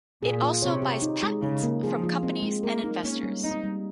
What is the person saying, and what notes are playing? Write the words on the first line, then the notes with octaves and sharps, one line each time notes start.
It also buys patents from companies and inventors.
A#2 G#4
F4
C3 C#5
G4
D#4
G#3
C#3 D#4
A#3
F3 G#4
F4
G#3 C4
G#3
A#3 A#4
D#4
A#3 C#4
G3
C4 D#4
G3